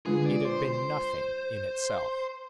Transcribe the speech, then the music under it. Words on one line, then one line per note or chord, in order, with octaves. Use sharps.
It had been nothing in itself.
D3 G#3 D4 F4 G#4
D5
C5
C5